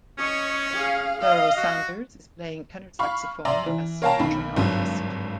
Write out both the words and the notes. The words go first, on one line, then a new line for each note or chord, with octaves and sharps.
Pharoah Sanders is playing tenor saxophone as featuring artist.
C#4 C#5 D#5
G#4 F5
D#5 F5
F#4
F5 B5 C#6 F6
D5 E5 G#5 A#5 C6
E3
A#4 C#5 F5 G5 A5 A#5
B1 D3 D#3 B5
G#1 G2 D3 F#3